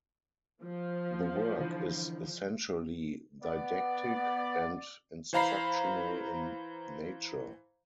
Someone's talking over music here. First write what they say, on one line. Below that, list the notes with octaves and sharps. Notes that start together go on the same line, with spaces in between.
The work is essentially didactic and instructional in nature.
F3
D3 E3
B3 D5
E3 C5 F5 A#5 B5 C7